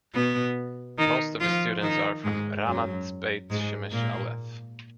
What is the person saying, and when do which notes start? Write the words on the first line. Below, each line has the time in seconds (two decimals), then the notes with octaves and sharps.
Most of the students are from Ramat Beit Shemesh Alef.
0.14 B2 B3
0.98 D#3 D#4
1.40 F3 F4
1.82 D#3 D#4
2.24 G#2 G#3
2.66 F#2 F#3
3.50 G#2 G#3
3.92 A#2 A#3